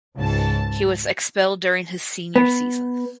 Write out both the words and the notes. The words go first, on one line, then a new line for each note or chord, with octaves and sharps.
He was expelled during his senior season.
C#2 G#2 A5
B3